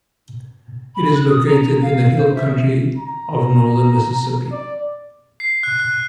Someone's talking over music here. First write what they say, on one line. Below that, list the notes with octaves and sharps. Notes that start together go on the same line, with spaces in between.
It is located in the hill country of northern Mississippi.
B5
F#6
D#6
A#5
F5
C5
E5
A#5
D5
C7
F#6
F#6